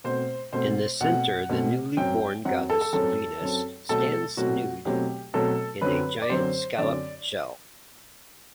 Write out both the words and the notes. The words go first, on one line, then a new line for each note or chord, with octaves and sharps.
In the centre the newly-born goddess Venus stands nude in a giant scallop shell.
B2 A3 C4 C5
B2 A3 C4 C5
B2 A3 C4 F#5
B2 A3 C4
F#2 F#3 C4 G5
F#2 F#3 C4 F#5
A4
A4
F#2 F#3 C4 A4
F#2 F#3 C4
B2 F#3 A3 C4 A4
B2 F#3 A3 C4 F#4
B2 F#3 A3 C4 G4
B2 F#3 A3 C4 A4
F#2 D3 F#3 C4 B4
D5
F#2 D3 F#3 C4 C5
F#2 D3 F#3 C4 D5